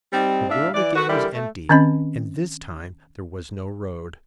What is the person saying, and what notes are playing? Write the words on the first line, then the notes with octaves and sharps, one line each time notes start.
The world again was empty, and this time there was no road.
G3 C4 D#4
A2 C#3 D4 E5 F5
E3 D5
A3 F#4 B4
D3 E3 G3 E4 G4 A#4
A3
D#3 C4 C#4 D#5 B5